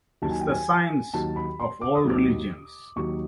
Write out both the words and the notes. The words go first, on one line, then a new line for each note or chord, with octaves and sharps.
It's the science of all religions.
D#2 D#3 F#3 A5
G#5
G5
G#5
D#2 D#3 F#3 A5
B5
C6
D6
D#6
D#2 D#3 F#3 D6
D#2 D#3 F#3 C#6